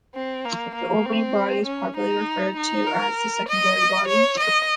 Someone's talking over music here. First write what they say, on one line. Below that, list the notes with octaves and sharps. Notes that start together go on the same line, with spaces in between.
The orbiting body is properly referred to as the secondary body.
C4
A#3
A#3
C4
C#4
D#4
D#4
A#4
D#5
C#5
D#5